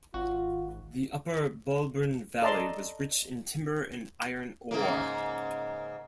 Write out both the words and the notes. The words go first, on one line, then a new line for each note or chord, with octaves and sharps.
The upper Bulbourne Valley was rich in timber and iron ore.
G#1 F4 F#4
A4 D5 D#5 A5 A#5 C6
G#2 C#3 A#3